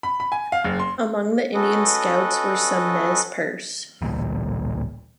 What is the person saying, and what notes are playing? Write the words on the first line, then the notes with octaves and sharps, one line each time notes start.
Among the Indian scouts were some Nez Perce.
B5
B5
G#5
F5
F#1
C6
C#4 F#4 A4 B4 D#5
A1 D2 A#2 G3